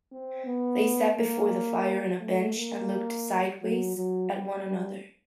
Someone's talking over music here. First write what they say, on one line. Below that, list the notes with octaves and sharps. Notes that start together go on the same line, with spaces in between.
They sat before the fire on a bench and looked sideways at one another.
C4
B3
A#3
A3
A#3
F#3
F#3
G3